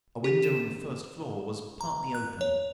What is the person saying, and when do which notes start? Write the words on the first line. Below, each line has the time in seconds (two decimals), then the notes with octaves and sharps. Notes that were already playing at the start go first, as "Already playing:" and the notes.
A window on the first floor was partly open.
0.24 G4
0.43 E7
1.81 A#5
2.15 F#6
2.41 C#5